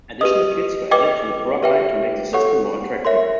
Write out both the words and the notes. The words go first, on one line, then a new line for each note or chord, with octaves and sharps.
Additional kits were added to the product line to make the system more attractive.
G4 B4 D#5 D#6
B4 D#5 G5 D6
G4 B4 E5 G5
A4 C#5 F#5 C#6
A#4 C#5 E5 C6